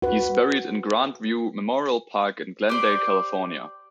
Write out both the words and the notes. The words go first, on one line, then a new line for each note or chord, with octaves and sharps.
He is buried in Grand View Memorial Park in Glendale, California.
F#4 B4
G4 C5 D5